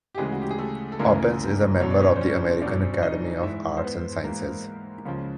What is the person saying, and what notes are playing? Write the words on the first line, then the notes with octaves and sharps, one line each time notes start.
Oppens is a member of the American Academy of Arts and Sciences.
G4
D2 C#3 E3 G#3 G#4
F#4
G4
G#4
A3 A4
A4
D2 C#3 E3 A#3 A#4
E2 B2 F#3 C#5
D5
C#4 C#5
C5
C#4 C#5
E2 B2 F#3 D4 D5
D#4 D#5
G#2 E3 E4 E5
C5
B3 B4
G#2 E3 A#3 A#4
C#2 C#3 F3